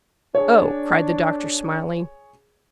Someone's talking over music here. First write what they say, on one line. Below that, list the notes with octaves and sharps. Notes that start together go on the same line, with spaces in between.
"Oh," cried the doctor, smiling.
D4 G#4 C#5